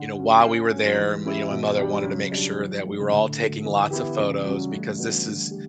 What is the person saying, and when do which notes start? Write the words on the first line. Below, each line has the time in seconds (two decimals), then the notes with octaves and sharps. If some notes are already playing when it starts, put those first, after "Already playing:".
you know, while we were there, m you know, my mother wanted to make sure that we were all taking lots of photos, because this is
Already playing: D3
0.18 F#3 C#4 G4
0.44 D3 C#4
0.71 F#3 A3
0.86 F#3
0.97 E3 G3
1.25 C#4 E4 G4
1.51 B2
1.77 G3 D4 G4
2.04 C#3 F#3
2.31 G3 D4 G4
2.58 E3
2.85 A3 D4 F#4
3.00 C#3
3.11 A2 D3
3.38 F#3 A3
3.65 E3
3.91 B3 E4 G4
4.18 C#3 E3
4.45 F#3 G3 C#4
4.72 C#3 A3
4.98 F#3 B3 D4
5.25 D3
5.51 G4